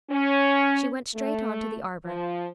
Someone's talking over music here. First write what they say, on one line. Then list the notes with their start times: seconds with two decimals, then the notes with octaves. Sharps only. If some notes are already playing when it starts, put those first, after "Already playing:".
She went straight on to the arbor.
0.10 C#4
1.15 A3
2.04 F3